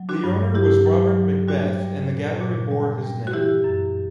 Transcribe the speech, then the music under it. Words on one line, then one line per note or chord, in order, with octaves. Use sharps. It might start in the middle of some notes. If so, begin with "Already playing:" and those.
The owner was Robert Macbeth and the gallery bore his name.
Already playing: F#3
D4 F#4
G2
G2 E4 G4
F#3
F#3
G3 D4 F#4
G3
A#2
A#2
G3
G3
F#4
E3 E4 G4
F#2